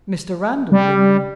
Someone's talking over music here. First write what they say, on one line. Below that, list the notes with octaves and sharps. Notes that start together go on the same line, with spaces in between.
"Mr. Randal Linley."
G3